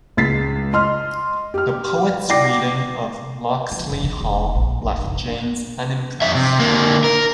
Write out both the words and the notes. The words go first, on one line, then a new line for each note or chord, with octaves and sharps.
The poet's reading of "Locksley Hall" left James unimpressed.
C#2 G#3 A6 B6 C7
D#5 C6 F6
G4 F6
D5 F#5 G5 D6 A#6 C7
F3
F1
D3
E1
A#1
F1
F1
F2 E5
C3
D3 A#3
A#4